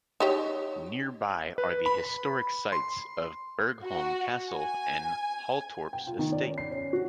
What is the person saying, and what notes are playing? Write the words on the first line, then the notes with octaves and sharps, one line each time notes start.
Nearby are the historic sites of Borgholm Castle and Halltorps Estate.
D#4 G4 C#5
B4
B5
C6
F#4
G#5
G5
F4
D#3
D5
C#4
C7
C#4
F#4